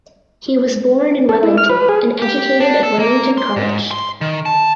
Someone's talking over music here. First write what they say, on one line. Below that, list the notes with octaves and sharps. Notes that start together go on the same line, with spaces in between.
He was born in Wellington and educated at Wellington College.
A4
E4
F6
B4
G#4
G4
D4
A4
A#3
C6
G#2
C6
D#3
A5